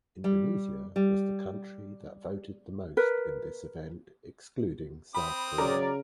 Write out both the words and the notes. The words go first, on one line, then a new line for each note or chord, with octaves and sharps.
Indonesia was the country that voted the most in this event excluding South Korea.
G3
G3
A#4 B4
C4 B5 D#6
C#3 F#3 A#4 D5